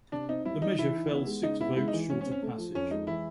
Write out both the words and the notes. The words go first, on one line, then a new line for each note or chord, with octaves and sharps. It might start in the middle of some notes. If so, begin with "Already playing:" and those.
The measure fell six votes short of passage.
C3 D4
C4 D#4
G3 E4
D#3 D#4
E3 E4
D#4
B3
G#3
C#3 D#4
B3 E4
G#3 E4
D#4
E3
G#2 C#4
C#4
C4
C#4
A3
F3
F2 C#4
G#3 D#4
E3 E4